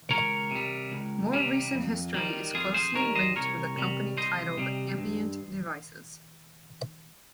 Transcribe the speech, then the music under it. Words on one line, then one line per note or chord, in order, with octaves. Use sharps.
More recent history is closely linked with a company titled Ambient Devices.
C#2 A#4 C#5
C3 G3
C#2
C3 G3
F2
D#3 G3
F2 F4 G#4
G#4 C5
D#3 G3 A#4 C#5
C5 D#5
C2 A#4 C#5
C3 G3
C2 C5 D#5
C3 G3
G2